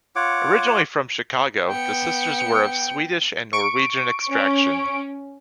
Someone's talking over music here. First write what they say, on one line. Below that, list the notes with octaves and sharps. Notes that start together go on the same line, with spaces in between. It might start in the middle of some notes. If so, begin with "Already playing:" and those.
Originally from Chicago, the sisters were of Swedish and Norwegian extraction.
F4 C#5 F#5 D6
B3 G5 C#7
C#6 D7
C#4